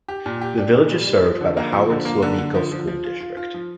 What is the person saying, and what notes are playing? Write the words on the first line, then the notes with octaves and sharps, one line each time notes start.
The village is served by the Howard-Suamico School District.
G4
A#2
G4
D4
A#2
G3
G3
F3
D3
A#3
F3
D3
A#3
D3
D3
F3
F3
F3
F4
F4
F4
F3